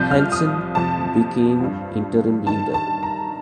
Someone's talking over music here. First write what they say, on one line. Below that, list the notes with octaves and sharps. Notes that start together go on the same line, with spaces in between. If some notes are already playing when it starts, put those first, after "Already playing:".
Hanson became interim leader.
Already playing: C2 C3 F3 G6
F6
D#6
F2 C3 F3 A5
G2 F3
G2 D#3 A5
A5
A#5